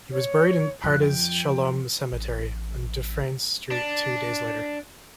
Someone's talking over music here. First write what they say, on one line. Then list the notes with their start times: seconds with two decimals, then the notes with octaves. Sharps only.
He was buried in Pardes Shalom Cemetery on Dufferin Street two days later.
0.12 C#5
0.84 F2 F3 F#6
1.01 G5
2.12 A1
3.71 D4